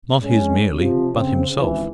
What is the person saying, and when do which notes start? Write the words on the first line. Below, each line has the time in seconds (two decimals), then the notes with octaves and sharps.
Not his merely, but himself.
0.23 G#3 C#4
0.75 C3 F3
1.13 C#3 C4
1.56 G#1 C#2 E3